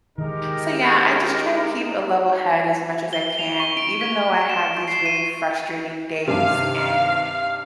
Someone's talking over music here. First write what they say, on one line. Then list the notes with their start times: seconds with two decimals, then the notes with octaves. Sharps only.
So, yeah, I just try to keep a level head as much as I can, even though I have these really frustrating days and
0.18 D#3 G#3 D#4 G4 A#4
3.13 G7
3.39 F7
3.60 C#6
3.77 D7
4.01 B6
4.50 E7
4.88 C7
5.06 D#7
6.27 G2 C3 F5